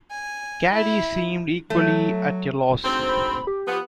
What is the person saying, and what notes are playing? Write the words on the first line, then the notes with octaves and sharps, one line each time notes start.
Caddy seemed equally at a loss.
G#5
E4
F#3 A3
D2 G#2 C4
B5
G4
F3 B3